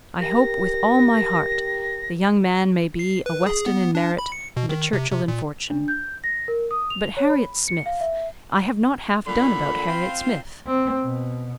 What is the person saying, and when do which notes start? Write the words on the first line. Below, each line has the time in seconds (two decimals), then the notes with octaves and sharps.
I hope, with all my heart, the young man may be a Weston in merit, and a Churchill in fortune.--But Harriet Smith--I have not half done about Harriet Smith.
0.20 G4 A#4 A#6
2.99 C7
3.26 B4
3.46 G#4
3.66 B3
3.95 D4
4.18 B5
4.32 C#7
4.57 B2
4.69 D#3
4.93 C3
5.12 C3
5.28 A#2
5.70 D4
5.88 G6
6.24 A#6
6.48 A#4
6.71 D#6
6.90 F7
7.17 C#5
7.30 B5
7.68 C#7
7.86 F5
8.00 E5
9.27 A#2 D3 B5
9.88 C4 F4
10.67 C4
11.04 B2